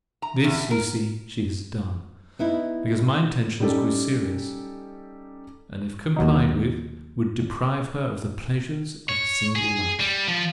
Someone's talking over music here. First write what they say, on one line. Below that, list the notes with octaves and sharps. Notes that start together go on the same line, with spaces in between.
This, you see, she has done, because my intentions grew serious, and if complied with, would deprive her of THE PLEASURES OF A SINGLE LIFE!
A#5
E2
B2
A#4
B3 D#4 E4
G3 C#4 D#4 G4 A4
D#2 F#3 D#4
C#5
G#4
G3
F3